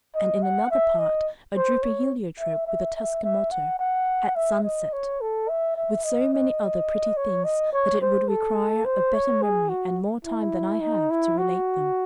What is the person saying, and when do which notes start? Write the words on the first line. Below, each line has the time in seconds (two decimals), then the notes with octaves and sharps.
And in another part a drooping heliotrope with a Tuscan motto: AT SUNSET--with so many other pretty things that it would require a better memory and more time than I have to relate them.
0.15 D#5
0.43 F#5
0.71 E5
0.99 D#5
1.56 C5
1.83 C#5
2.39 E5
2.67 E5
2.96 E5
3.24 E5
3.51 F#5
3.79 F#5
4.36 E5
4.63 D#5
4.93 C#5
5.21 A4
5.49 E5
5.76 E5
6.04 D#5
6.33 D#5
7.17 C#5
7.45 D#5
7.73 C#5
8.01 C5
8.28 A4
8.85 C5
9.14 C#5
9.42 G#4
9.69 F#4
10.25 E4
10.81 D#4
11.10 E4
11.38 F#4